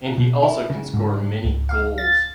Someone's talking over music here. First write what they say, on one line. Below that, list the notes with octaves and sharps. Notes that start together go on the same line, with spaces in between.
And he also can score many goals.
B2
E4
C#3
G#2
C#2
F5
A6